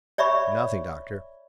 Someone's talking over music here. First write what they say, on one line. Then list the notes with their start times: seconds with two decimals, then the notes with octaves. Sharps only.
"Nothing, Doctor."
0.18 C#5 D5 E5 B5 C#6